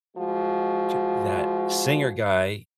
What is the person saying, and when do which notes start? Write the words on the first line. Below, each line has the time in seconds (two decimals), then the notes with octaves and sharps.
t that singer guy,
0.17 F3 G#3 F#4